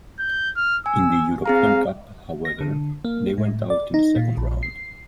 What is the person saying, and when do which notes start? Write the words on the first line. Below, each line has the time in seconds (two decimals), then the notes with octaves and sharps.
In the European Cup however, they went out in the second round.
0.19 G6
0.56 F6
0.86 G#5 E6
1.46 C4 G#4 F5 A#5
2.45 A#6
2.60 D3
3.05 A#3
3.38 A2
3.70 D5
3.94 D#4
4.16 A#2
4.37 A#1
4.63 C7